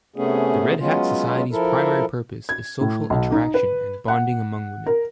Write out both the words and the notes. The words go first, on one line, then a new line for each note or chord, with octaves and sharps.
The Red Hat Society's primary purpose is social interaction and bonding among women.
C3 A3 B3 C#4 G#4
F#3 G#3 B3 C#4 F4
F3 E4 A4 A#4
G#6
A2
B1
D#4
B4
F#5
A#4